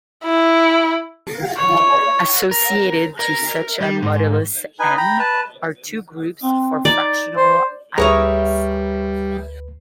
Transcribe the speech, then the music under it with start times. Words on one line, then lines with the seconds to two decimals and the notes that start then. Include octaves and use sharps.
Associated to such a modulus "m" are two groups of fractional ideals.
0.24 E4
1.56 C#5
2.51 A#4
3.19 A#4
3.81 G3
4.02 G#2
4.79 D#4 B4 G#5
4.98 G5 A#5 B5
5.20 B4 A5
6.43 C4
6.85 D#4 D5
7.37 C5
7.98 D2 G3 G#4 A#4 B4 C#5 E5 A#5